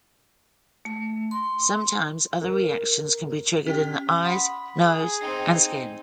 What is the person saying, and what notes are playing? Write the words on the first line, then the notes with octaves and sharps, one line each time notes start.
Sometimes other reactions can be triggered in the eyes, nose, and skin.
A3
C6
A#4
C#4 G4 G5
F#5 B5 C6 D#6
G#4
C4 D#4 G5 C7